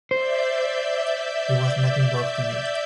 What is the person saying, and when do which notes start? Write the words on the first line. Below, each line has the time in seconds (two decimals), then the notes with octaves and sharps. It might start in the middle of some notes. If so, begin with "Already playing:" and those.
He was not involved in it.
0.11 C5 D5 E5 G6